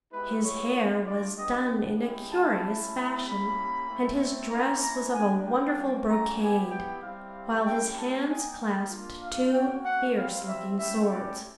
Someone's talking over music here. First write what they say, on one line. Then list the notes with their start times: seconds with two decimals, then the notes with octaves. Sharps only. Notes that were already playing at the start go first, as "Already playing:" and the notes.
His hair was done in a curious fashion and his dress was of a wonderful brocade, while his hands clasped two fierce-looking swords.
0.11 G#3 B3 E4 G4 B4
0.43 C#5
0.74 A3 D4 F4
1.05 D5
1.37 B3 D4 G4 D#5
2.00 G#3 C#4 E4 G4
2.31 A5
2.62 A3 C#4 E4 G4
2.94 A#5
3.25 A#3 C#4 E4 G4 B5
3.88 A3 C4 E4
4.51 A#3 C#4 E4 A#5
4.82 A#5
5.13 A#3 D4 G4 G#5
5.45 G5
5.76 G3 A#3 C#4 F4
6.08 A#5
6.39 B3 E4 G4 G#5
6.70 G5
7.02 G3 C4 E4 G4 F5
7.64 A3 C#4 E4 G4 G5
7.96 A5
8.27 A#3 D#4 G4 G#5
8.90 A#3 D4 F4
9.21 F5
9.53 A#3 C#4 F#4 G5
9.84 F#5
10.15 C4 E4 G4 F5
10.47 E5
10.78 A3 C#4 E4 G4 E5
11.10 D5